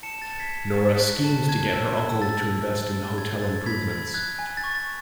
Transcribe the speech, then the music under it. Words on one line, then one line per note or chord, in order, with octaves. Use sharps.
Nora schemes to get her uncle to invest in hotel improvements.
A5 C#7 E7
A6 C#7
A5
G#6 B6
A5
G#6
C#6 A6
F#6
A5
A5 G#6
E6
A5
E6 A6
E6
A5
B5 A6
B5 G#6
F#6 A6
B5 G#6 B6
B5 G#6
F#6 G#6
G#5
A6
C#6
A6